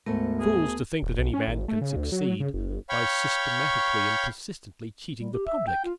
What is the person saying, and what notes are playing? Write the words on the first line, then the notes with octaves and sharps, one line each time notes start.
Fools, to think that any man can succeed by systematically and persistently cheating the public.
D2 G#2 A3 B3 A#4 A5
G#4
D#1
B1
C#4
G#1
A3
C#3
D2
F#3
C#3
F#1
G1
C#5 F5 G5 B5 C#6
G3
G4
E5
G5
F4